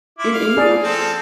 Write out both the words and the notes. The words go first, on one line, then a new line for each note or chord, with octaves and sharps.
in English?
E4 F4 D6
F5
G#4 D5
F3 C4 A4